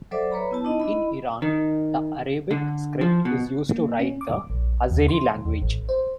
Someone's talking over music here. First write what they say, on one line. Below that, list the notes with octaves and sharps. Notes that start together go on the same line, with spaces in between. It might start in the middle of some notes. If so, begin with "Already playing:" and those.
In Iran, the Arabic script is used to write the Azeri language.
F#3 A4 C5 D5 E5 D6
B4 C#5 A#5 B5
B3 E4 A5
D4 D#4 D#5
E4 D#5 B5
D#3
D3
F3
B2
A#3
C#4
D6
A#1
D#2
C6
D#2
A1
C5